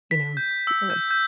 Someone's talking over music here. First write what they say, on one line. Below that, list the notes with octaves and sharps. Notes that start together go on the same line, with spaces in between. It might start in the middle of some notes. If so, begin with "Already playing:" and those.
You know, that would
B6
G6
E6
G6
G6